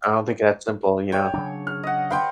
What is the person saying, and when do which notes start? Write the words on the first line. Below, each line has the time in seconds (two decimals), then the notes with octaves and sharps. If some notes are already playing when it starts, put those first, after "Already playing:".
I don't think it's that simple, you know,
1.12 C#5 G5
1.34 C#3 F#3 D4
1.67 F6
1.83 D#5 F#5
2.10 B4 F5 G5 C6